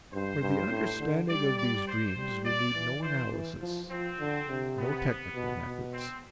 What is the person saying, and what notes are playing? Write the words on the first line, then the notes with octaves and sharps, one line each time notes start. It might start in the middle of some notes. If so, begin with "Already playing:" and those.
For the understanding of these dreams we need no analysis, no technical methods.
G2 C5
G2
A2
D3
G3 D5
D5
C5
G3
D5
E3
E3 C5
E3
F3
F3 C4
D3
C3
B3
B2
B2
C4